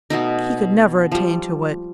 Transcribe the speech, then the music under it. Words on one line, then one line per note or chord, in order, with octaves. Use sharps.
He could never attain to it.
B2 A3 D#4
F3 G3